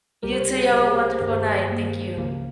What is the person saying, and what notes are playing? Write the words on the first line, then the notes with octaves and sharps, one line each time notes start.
You too. You have a wonderful night. Thank you.
C#2 C3 G3 G4 A#4
C5
A#4 C#5
G#4 C5
C#2 C3 G3 G4 A#4
G#4
G4 A#4
C5
G2 D#3 A#3 G4 A#4
G#4 C5
G#4 C5
G2 D#3 A#3
C#2 C#3 F3 A#3